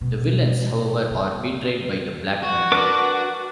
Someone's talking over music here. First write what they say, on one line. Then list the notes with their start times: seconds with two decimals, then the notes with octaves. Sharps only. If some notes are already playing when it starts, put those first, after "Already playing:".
The villains, however, are betrayed by the Black Knight.
0.01 B2
1.10 C#3 B3
2.42 F#4
2.72 D4 A#4 B4 D6